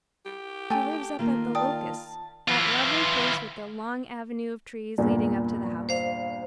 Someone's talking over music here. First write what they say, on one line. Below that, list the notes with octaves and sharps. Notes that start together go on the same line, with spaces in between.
She lives up at 'The Locusts,' that lovely place with the long avenue of trees leading up to the house.
G4
A3 G5 G#5
D#3 A#3 F4 A#4
D5 G5 A5 D#6
E3 F4
E2 G2 A#2
C5 F5